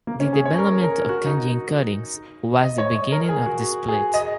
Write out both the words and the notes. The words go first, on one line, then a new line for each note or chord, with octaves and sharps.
The development of kanji encodings was the beginning of the split.
A#3
C#4
G#4
C#5
A#4
A#4
F#4
D#4
D#5
C#5
C#5
A#4
G#4
F#4
G#4
D#5